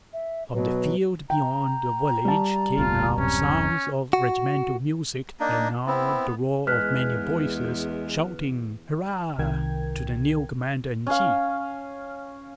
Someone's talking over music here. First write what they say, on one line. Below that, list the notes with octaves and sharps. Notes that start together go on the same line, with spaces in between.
From the field beyond the village came now sounds of regimental music and now the roar of many voices shouting "Hurrah!" to the new commander-in-chief.
E5
B2 F#3 B4
G5 A#5
G3 A5
F1 D2 B2 F4
D1 F#2 C3 C#4
F#4
A#3 D4 D#4
B3 C4 E4
E2 G#3 B4 F6 F#6 B6
C2 C3 D#3 A#4 G5 G#6
C#4 F5